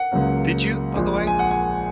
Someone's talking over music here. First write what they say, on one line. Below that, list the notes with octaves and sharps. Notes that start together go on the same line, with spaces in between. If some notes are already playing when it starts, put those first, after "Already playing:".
Did you, by the way?
Already playing: F#5
C#2 C#3 F#3 A#3
A#1 A#2 G#3
G#5
F#5
G#5